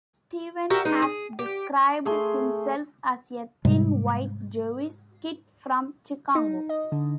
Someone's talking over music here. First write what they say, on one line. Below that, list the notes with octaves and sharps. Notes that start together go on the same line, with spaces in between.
Steven has described himself as a "thin, white Jewish kid from Chicago".
F#4 G4 A#4 E5
G#3 B3 D#4
G#4
G4
A3 G#4 C6
G#2 C3 G3 G#3
D#4
D#5
D3